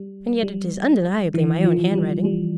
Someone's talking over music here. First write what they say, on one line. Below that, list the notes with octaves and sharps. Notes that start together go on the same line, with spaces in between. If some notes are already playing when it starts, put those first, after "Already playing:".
And yet it is undeniably my own handwriting.
Already playing: G3
G3
E3
F3
G3
G3